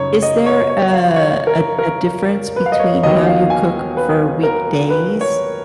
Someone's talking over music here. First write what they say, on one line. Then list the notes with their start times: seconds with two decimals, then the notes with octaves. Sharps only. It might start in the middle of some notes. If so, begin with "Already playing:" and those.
Is there, uh, a a difference between how you cook for weekdays
Already playing: F#2 C#3 D#4 C#5
0.23 D#5
0.46 C#5
0.70 C#5
0.93 F5
1.16 C#5
1.47 A#4
1.79 A#4
2.56 B4
2.66 F5
2.72 D#5
2.80 C#5
3.03 D#2 D#3 F#3 B3 D#5
3.27 F5
3.50 G#5
3.97 B4
4.43 A#4
4.90 B4
5.21 C#5